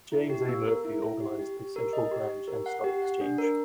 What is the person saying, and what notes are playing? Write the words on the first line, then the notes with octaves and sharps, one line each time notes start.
James A. Murphy organized the Central Grange and Stock Exchange.
E4
G4
B3
A#4
E4
E4
G4
G4
G4
A#4
D#5
G4
G4
A#4
F#5
G4
F#5
D4
A#4